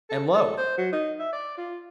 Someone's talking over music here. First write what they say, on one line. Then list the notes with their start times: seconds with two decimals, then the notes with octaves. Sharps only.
And lo!
0.10 A4
0.33 A4
0.57 C5
0.77 F#3
0.92 D#4
1.19 E5
1.32 D5
1.57 F4